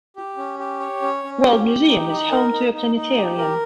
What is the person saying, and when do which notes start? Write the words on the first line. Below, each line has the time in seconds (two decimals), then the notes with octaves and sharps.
World Museum is home to a planetarium.
0.16 G4
0.37 C#4
0.59 G4
0.80 C#5
1.02 C#4
1.23 C#4
1.45 G4
1.66 G4
1.87 D#4
2.10 D#4
2.31 A#4
2.52 D#4
2.73 D#4
2.95 D#4
3.17 G4
3.38 A#4